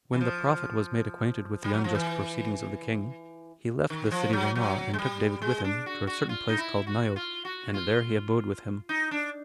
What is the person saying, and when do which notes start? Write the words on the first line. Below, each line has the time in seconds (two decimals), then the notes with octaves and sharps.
When the prophet was made acquainted with the unjust proceedings of the king, he left the city Ramah, and took David with him, to a certain place called Naioth, and there he abode with him.
0.13 E3
0.21 F3
1.64 G3
1.74 F#3
1.84 F3
1.95 E3
3.90 D#3
4.11 F3
4.33 F#3
4.55 F#3
4.93 G#3
4.99 G3
5.42 G#3
5.64 D4
5.86 F#4
6.07 F#4
6.29 F4
6.49 D#4
6.58 E4
6.87 F#4
7.16 F4
7.45 F#4
7.74 F4
8.89 D#4
9.11 D4